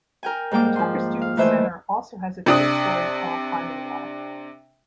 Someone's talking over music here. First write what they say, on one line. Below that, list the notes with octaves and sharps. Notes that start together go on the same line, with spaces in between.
The Tucker Student Center also has a three-story tall climbing wall.
A#4 G5 G#5
G#2 G3 A#3 G5 D6
F3 C6
F5
D#3 E3 A3 C5 E5 G#5
C3 D4 D#6